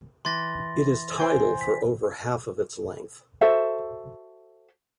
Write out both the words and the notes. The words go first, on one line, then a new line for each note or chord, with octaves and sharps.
It is tidal for over half of its length.
E3 C6 A6 A#6
C5 G5 G#5
B6
F#4 A4 C5 E5